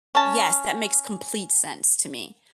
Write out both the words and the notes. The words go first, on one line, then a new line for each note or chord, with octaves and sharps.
Yes, that makes complete sense to me.
C#4 A5